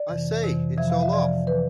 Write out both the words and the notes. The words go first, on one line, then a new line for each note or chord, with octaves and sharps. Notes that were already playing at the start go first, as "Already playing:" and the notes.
I say, it's all off.
Already playing: D5
F2 C3 E3
F2 C3 E3
F2 C3 F3 E5
F5
E5
F2 C3 F3 D5
E3 B4